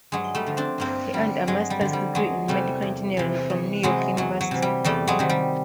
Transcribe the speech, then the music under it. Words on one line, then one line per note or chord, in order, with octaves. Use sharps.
He earned a master's degree in medical engineering from New York University.
G2 F#3 G#3
G3 A3
D3 F3
C4 D4
G2 A#3 C4
D3 F3 G3
G2 F#3 G#3
G3
D3 F3
G3
E2 F#3 G#3
C3 E3 G3 A3
E2
C3 E3
E2
C3 E3 F#3 G#3
E2 F#3
F#3
C3 E3
G3
E2 G3 A3
F#3 G#3
C3 D#3 F#3
G3